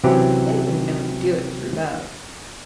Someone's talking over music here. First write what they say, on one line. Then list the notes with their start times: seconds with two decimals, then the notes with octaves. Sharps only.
They have been known to do it through love.
0.04 C3 E3 F#3 C4 C#4 G4